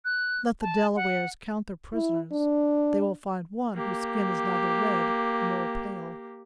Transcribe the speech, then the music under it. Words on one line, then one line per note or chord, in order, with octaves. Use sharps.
"Let the Delawares count their prisoners; they will find one whose skin is neither red nor pale."
F#6
A5
F#5
E4
D4
A#3 G4